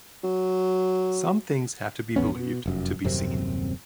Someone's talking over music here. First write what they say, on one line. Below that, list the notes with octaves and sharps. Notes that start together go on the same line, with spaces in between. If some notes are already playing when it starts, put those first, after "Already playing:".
Some things have to be believed to be seen.
F#3
A#1 E2 B3 C#4
B2
F1 F#2
D#1 F#2 C3 C4